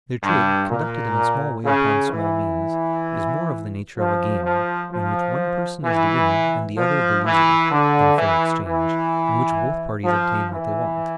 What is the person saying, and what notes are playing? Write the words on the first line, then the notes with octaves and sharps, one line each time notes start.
Their trade, conducted in a small way upon small means, is more of the nature of a game, in which one person is the winner and the other the loser, than a fair exchange, in which both parties obtain what they want.
G2
A#2
C#3
E3
F3
F3
F3
E3
F3
E3
D3
E3
E3
F3
E3